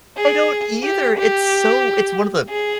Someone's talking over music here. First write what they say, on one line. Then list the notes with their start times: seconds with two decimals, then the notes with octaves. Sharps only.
I don't either. It's so it's one of the
0.17 G#4
0.84 G4
1.17 G4
2.49 G#4